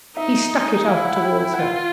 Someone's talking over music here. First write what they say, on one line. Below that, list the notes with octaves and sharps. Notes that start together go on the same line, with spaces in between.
He stuck it out toward her.
D#4 E5
E4 F5
F#5
F#5
G5
G5
F#5
F4
F5